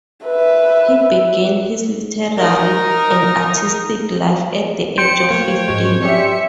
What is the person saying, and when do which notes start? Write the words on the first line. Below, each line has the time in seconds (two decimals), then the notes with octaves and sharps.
He began his literary and artistic life at the age of fifteen.
0.25 B4 E5
2.37 D#4 A#4
4.98 C5 G5 C#7
5.30 A3 A#3 C#5
5.68 G#2 F3 G#3
6.02 G3 C#4 G4 E5 C#7